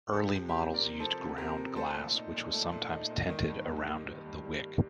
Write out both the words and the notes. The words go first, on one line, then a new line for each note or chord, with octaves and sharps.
Early models used ground glass which was sometimes tinted around the wick.
A4
F3 G4
C3
G4
C4
A#4 D5
C3
F3 A4 C5
C3
C4 G4 A#4
C3
A3 A4 C5
A#2
D#4
A#2
A3
A#2
D#4
A#2
D#3
G2
G3
A#3
D#3
G2
G3
A#3